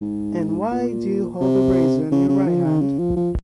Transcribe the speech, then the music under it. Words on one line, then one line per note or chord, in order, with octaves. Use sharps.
And why do you hold a razor in your right hand?
G#2
A#2
C3
C#3
C#3
F3
D#3
C#3
F3
F3